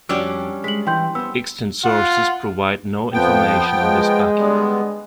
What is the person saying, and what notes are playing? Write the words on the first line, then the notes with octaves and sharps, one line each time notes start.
Extant sources provide no information on this Bakis.
F2 G3 C#4 D4 F#4 G5 E6
G#3 B6 F#7
E3 G5 C6 G6
B3 C5 E6
F4 F#5
F2 F3 B3 G5
G#3
D3 G3 B3